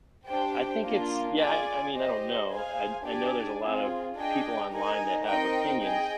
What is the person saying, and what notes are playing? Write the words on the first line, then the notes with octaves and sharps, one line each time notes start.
a I think it's Yeah, I I mean, I don't know. I d I know there's a lot of people online that have opinions.
D4 G4 C5 G5
A#3 D4 F4
F4 G#4 D5 G#5
G4 C5 D#5
G#4 C5 F5 G#5
D4 G4 D5 G#5
C4 F4 G#4
D4 G#4 D#5 G5
D#4 A#4 D#5 G#5
C4 D#4 A#4 D#5 G5
G#4 D#5 G5